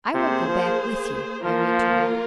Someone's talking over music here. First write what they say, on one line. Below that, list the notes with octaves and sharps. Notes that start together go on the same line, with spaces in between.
"I will go back with you," I returned.
C3 A#3 G#4 C5
F3
F3 A#3 F4 A#4